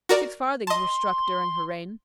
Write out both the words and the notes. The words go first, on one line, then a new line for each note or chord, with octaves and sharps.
Six farthings were struck during her reign.
F#4 A#4 D5
D#5 A5 C6